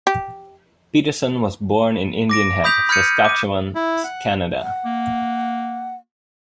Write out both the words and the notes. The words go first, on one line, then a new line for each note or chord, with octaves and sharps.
Peterson was born in Indian Head, Saskatchewan, Canada.
G4
D6 A#6 D7
B5 D#6 G6 B6 F7
B5 F6 G6 G#6 C#7 D#7
D6 D#7
E4
F#5
F#5
A#3